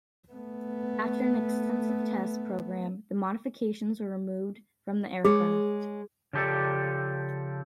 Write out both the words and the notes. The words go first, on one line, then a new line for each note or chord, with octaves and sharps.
After an extensive test program, the modifications were removed from the aircraft.
A3 B3
G#3 G#4 C#5
C#3 F3 G4 A4 D5